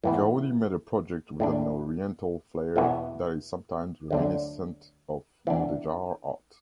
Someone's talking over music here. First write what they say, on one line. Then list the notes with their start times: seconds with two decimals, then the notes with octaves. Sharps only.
Gaudi made a project with an oriental flare that is sometimes reminiscent of Mudejar art.
0.04 A2 E3 B3 E4
1.40 A2 A3 D4
2.76 E2 B2 B3 E4
4.11 D2 D3 F#3 D4
5.47 E3 B3 D4